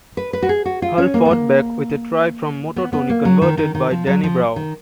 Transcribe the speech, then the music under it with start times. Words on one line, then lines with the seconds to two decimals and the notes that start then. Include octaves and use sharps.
Hull fought back with a try from Motu Tony converted by Danny Brough.
0.17 B4
0.33 B4
0.42 F#4
0.49 G#4
0.65 F#4
0.82 F4
0.98 C#4
1.14 A#3
1.25 B3
1.31 A#3
2.76 B3
2.93 B3
3.10 A#3
3.25 F#3
3.42 D#3
3.58 D#3
3.75 D#3
3.91 F3
4.07 F#3
4.24 F3
4.56 D#3